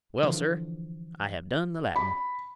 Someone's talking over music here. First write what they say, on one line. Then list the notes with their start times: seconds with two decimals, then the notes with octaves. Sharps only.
"Well, sir, I have done the Latin."
0.23 D3 E3 F3
1.96 B5